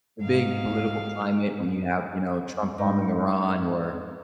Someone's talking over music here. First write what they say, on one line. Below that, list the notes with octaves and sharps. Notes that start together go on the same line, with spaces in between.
the big political climate when you have, you know, Trump bombing Iran, or,
G#2 F5
G#2